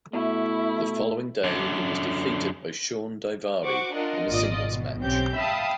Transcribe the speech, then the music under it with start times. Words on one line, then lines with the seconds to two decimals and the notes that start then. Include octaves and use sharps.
The following day he was defeated by Shawn Daivari in a singles match.
0.13 B2 A3 E4 E5 C#6
1.44 F#2 D3
3.62 F#4 C5 F#5 C#6 D6
3.94 D4 F4 A#4 D#5 F#5
4.29 G#1 A#2 F4 D5 D#5 D#6
4.67 B2
4.99 B1 C4 C#4 G4 G6
5.37 E5 F5 G5 A5 B5 D#6